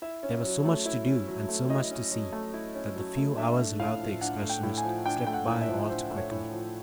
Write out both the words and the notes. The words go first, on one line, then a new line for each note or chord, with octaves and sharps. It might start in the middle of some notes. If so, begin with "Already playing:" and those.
There was so much to do and so much to see that the few hours allowed the excursionists slipped by all too quickly.
E4 E5
C#4
F#3
A3
E4
C#4
F#3
A3
E4 D#5
C#4
F#3
A3
E4
C#4
F#3
A3
D4 E5
A3
A2 F5
F3
D4 F#5
A3
G5
A2
G#5
F3
D4 G5
A3 G5
F#5
A2
E5
F3
D4 C5
A3
C#5
A2
F3